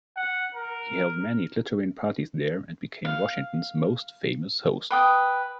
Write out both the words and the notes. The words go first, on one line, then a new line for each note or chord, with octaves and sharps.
He held many glittering parties there and became Washington's most famous host.
F#5
A#4
F5
B4 G5 D#6